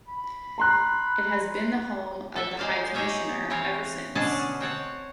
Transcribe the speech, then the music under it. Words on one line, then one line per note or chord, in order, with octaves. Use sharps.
It has been the home of the High Commissioner ever since.
B5
A#5 C6 F#6
A4 E5
G#3 C5 D5 F5
D#4 G4 G#4 C#5 E5 F5
E3 C4 A#4 C#5 F5
B2 D3 C#4 D4 G#4 A5
C4 C#5 F#5 A5